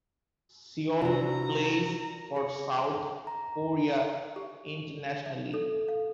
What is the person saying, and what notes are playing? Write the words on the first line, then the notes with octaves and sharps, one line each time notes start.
Seol plays for South Korea internationally.
C2 C4 D4 F#4 A#5
G#4
A#5
G4
E5
A4
F5